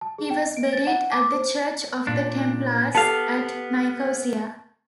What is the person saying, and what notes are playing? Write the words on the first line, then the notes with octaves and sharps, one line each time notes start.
He was buried at the Church of the Templars, at Nicosia.
A5
G#4
G5
D#5
D7
A6
F#5
D6
C5
A#2 D4
B3 G4 A4 F5 A5